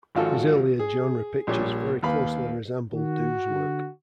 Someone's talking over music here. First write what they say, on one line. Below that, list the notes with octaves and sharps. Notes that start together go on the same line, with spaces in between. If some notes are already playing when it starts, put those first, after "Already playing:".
His earlier genre pictures very closely resemble Dou's work.
G#1 F3 F4 F#4 A4
G#4
A#1 A#2 G3 C#5
D#2 B4 F5 B5
D#3 F#4
D3